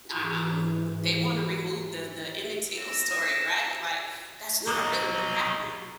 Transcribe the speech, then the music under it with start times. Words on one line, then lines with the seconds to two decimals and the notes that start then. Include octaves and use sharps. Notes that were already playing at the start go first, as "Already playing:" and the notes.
um, they wanna remove the the Emmett Till story, right? Like, "That's not really what happened."
0.15 G#2 E3
2.76 E6 A#6
4.67 F#3 D#4